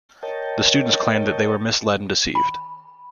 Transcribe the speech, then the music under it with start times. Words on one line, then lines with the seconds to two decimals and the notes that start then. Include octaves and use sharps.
The students claimed that they were misled and deceived.
0.23 A#4 C#5 D#5 G5 A5
2.35 B5